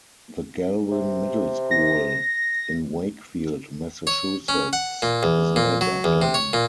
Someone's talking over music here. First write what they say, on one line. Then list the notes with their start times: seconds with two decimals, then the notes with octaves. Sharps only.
The Galvin Middle School in Wakefield, Massachusetts, is named after him.
0.92 C3
1.71 A#6
4.07 C#5
4.48 C#4
4.73 F#5
5.02 A#2
5.23 E2
5.56 A#2
5.81 F#3
6.04 E2
6.22 C3
6.34 C#5
6.53 A#2